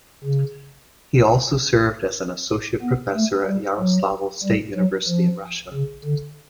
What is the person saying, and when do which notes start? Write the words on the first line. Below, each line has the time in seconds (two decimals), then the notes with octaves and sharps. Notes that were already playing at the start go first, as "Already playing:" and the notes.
He also served as an associate professor at Yaroslavl State University in Russia.
0.24 C#3
2.82 B3
3.14 A3
3.46 G3
3.79 F#3
4.44 G3
4.76 F#3
5.08 F3
5.73 C#3
6.05 D3